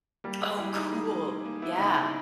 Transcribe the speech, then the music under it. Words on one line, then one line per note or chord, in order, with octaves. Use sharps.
Oh, cool. Yeah.
G3 A#3
G#3 G#4
G3 E4
D#4 E4
G#4
A#3
G#4
A#3
B3 E4
C#3 D#4
E4
C#3